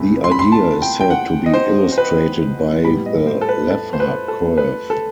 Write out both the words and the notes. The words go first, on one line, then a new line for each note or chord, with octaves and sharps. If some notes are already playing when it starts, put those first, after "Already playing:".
The idea is said to be illustrated by the Laffer curve.
Already playing: E2 C3 A3 B5
C6
B5
C6
A5
G5
G5
F#5
D#5
C5
C5
B4
A2 G3 B3 B5
D#5
C5
A4
B4
A4
C5
B4
A4
B4
A4